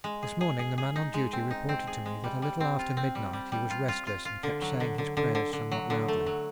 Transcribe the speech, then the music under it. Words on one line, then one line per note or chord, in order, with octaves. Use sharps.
This morning the man on duty reported to me that a little after midnight he was restless and kept saying his prayers somewhat loudly.
G#3
G#4
G#4
G#4
G#4
D#4
G#3
C4
D#4
C4
G#4
G#3
G3
G3
C4
F4
C4
G3
G3
G3
F4
F4
F4
F4
D3
F#3
D3
D3
D3
D3
D3
F#3
D3
A3
F#3